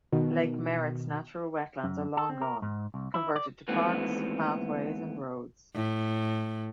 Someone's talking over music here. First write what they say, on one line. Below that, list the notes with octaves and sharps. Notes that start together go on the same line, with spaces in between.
Lake Merritt's natural wetlands are long gone-converted to parks, pathways and roads.
B2 D#3
F#2
A4
C4
A#4
G#2
C2
E4
D5
D#2 G#2 E3 A3 B3 C4
A2